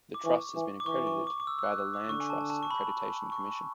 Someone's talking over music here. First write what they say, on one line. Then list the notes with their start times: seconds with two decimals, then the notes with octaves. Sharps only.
The Trust has been accredited by the Land Trust Accreditation Commission.
0.14 D6
0.25 E3 C#6
0.55 E3
0.80 D6
0.86 E3 C#6
1.07 C#6
1.27 D6
1.40 D6
1.47 E6
1.59 E6
1.63 F#6
1.78 E6
1.94 D6
2.09 D3 C#6
2.20 G#5
2.30 A5
2.50 A5
2.63 C#6
2.71 B5
3.32 C#6